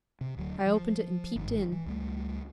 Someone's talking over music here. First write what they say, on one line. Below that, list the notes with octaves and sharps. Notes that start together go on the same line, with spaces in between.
I opened it and peeped in.
C3
D1 D2 F#3
F3
G1 G#2 D#3
E3
C#2 G3 A3